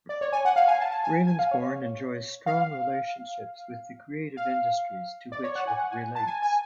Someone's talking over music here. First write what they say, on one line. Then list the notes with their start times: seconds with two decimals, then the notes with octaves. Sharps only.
Ravensbourne enjoys strong relationships with the creative industries to which it relates.
0.09 D5
0.21 C#5
0.32 G#5
0.45 F#5
0.56 F5
0.68 G#5
0.81 A5
0.91 A5
1.04 G#5
1.27 G#5
1.39 F5
1.51 C#5
2.46 F5
4.37 F5
5.32 D5
5.44 C#5
5.55 F#5
5.67 G#5
5.79 F#5
5.91 G#5
6.15 A5
6.27 G#5
6.42 G#5